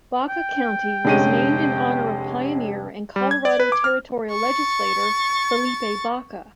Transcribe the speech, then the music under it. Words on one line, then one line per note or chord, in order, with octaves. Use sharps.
Baca County was named in honor of pioneer and Colorado territorial legislator Felipe Baca.
G5
F1 D3 G#3 C#4 G4 D#7
G3
G#6
D5
B4
D6
F6
C#6 A6